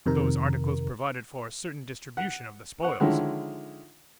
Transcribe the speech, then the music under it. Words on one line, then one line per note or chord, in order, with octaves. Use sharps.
Those articles provide for a certain distribution of the spoil.
F2 C3 D#3 A#4
F#5
C5 F#5 C#6
D3 D#3 F3 G#3 C#4 E4